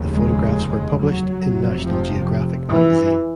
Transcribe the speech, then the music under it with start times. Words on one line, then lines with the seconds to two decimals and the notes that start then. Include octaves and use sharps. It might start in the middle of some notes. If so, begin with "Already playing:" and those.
The photographs were published in "National Geographic" magazine.
Already playing: F1 D#2 C#3
0.12 G#3
0.99 F#3
1.42 F1 F2 C3
1.84 F3
2.71 E3